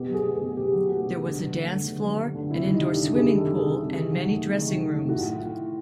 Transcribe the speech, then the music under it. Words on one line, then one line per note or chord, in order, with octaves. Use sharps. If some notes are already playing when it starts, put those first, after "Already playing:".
There was a dance floor, an indoor swimming pool, and many dressing rooms.
Already playing: B2 G4
F#3
G#4
A3
G#4
B2
B2 G4
F#3
A3 F#4
B2
D3
F#3
A3
D3
D3
F#3
A3
D3
C3 E4
D#3
D#4
G3
D4
C3
G4
C3 G#4
D#3
A4
G3
G#4
C3
C3
D#3
F#3
A3
C3
D#3
F#3
A3
A2 F#4
F4